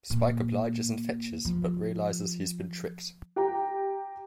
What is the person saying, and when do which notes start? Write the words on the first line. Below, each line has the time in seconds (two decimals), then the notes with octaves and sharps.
Spike obliges and fetches but realises he's been tricked.
0.10 A#2
1.45 F3
3.36 G4 G5 A#5